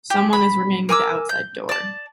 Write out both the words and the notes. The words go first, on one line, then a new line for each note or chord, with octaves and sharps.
Someone is ringing the outside door.
G4
B5
A#4 G#5 D6 E6
G6
D5 A5